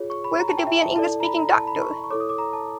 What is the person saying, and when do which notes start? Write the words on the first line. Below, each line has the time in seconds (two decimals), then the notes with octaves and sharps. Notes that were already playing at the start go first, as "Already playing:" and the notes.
Where could there be an English-speaking doctor?
Already playing: F4 G#4 C#5
0.10 C#6
0.24 B5
0.39 A#5
0.48 A5
0.58 G5
0.67 E5
0.82 A5
0.96 E4 A4 D5 A5
1.20 A#5
1.24 B5
1.39 A#5
1.53 A5
1.67 B5
1.82 C#6
2.04 C#6
2.10 E4 A4 C#5 D6
2.20 D#6
2.29 D6
2.38 A#5
2.53 A5